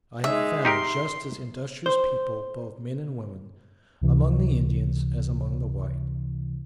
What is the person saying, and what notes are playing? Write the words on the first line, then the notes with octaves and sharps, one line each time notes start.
I have found just as industrious people, both men and women, among the Indians as among the whites.
G#3 D#4 E5
D#4 G4 A#4 C6
C5
C#2 C3 E3